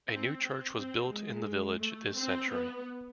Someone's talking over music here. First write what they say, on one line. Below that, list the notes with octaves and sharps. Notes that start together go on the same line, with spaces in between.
A new church was built in the village this century.
C4
C4
C4
G#3
A3
C4
B3